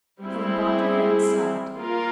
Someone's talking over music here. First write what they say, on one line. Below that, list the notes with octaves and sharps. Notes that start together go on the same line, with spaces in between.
Helen bobbed her head and sobbed.
G3 C4 E4 G#4
A#3 F4 A#4